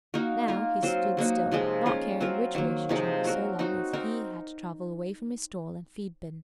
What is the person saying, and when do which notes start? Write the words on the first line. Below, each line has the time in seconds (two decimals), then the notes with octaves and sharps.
Now he stood still, not caring which way she chose so long as he had to travel away from his stall and feed-bin.
0.14 A#3 D#4 F#4 A#4
0.48 A#3 F4 A#4
0.83 F#3 C4 F4 C5
1.17 F#3 A#3 D#4 F#4
1.51 C3 F3 G#3 C4
1.86 G#3 C#4 F4 A#4
2.21 F#3 C4 F4 A#4
2.55 D#3 F#3 A#3
2.89 C3 F3 G#3 D#4
3.24 F#3 C4 F#4 A#4
3.59 C4 D#4 F#4
3.93 C4 D#4 A#4